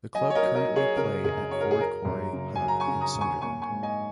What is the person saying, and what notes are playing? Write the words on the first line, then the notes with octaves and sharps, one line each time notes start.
The club currently play at Ford Quarry Hub in Sunderland.
F#3 D#5 G#5
C#5
A#4 D#5
F#3
A#4 D#5
F#3
G#4 C#5
C#3 A#4
F#2 G#4
F#3 C#5
A#4
G#4
F#3 A#4
F#2
C#3
F#3 G#5
A#5
G#5 C#6
C#3
A#5 D#6
F#2
G#5 C#6
A#3 G#5 C#6
G#5 C#6
G#2
D#5 G#5